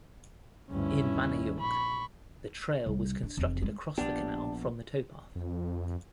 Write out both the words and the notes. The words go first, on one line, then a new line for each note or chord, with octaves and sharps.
In Manayunk, the Trail was constructed across the canal from the towpath.
D2 G2 C#4 E4
D#2
A#1 B5 C#6
C2
D3
F1 E2
G#3
A#1 B3 D4 G4
F2